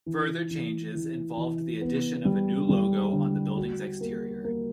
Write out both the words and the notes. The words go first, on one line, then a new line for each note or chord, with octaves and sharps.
Further changes involved the addition of a new logo on the building's exterior.
E3
E3
E3
E3
B3
G3
G3
D3
F#4
A#3
A#3